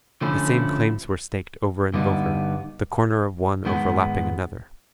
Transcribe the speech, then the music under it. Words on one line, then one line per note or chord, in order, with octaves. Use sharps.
The same claims were staked over and over, the corner of one overlapping another.
D3 F3 A3 C#4 E4
G2 D3 G3 B3 D#4
G#2 D#3 G#3 B3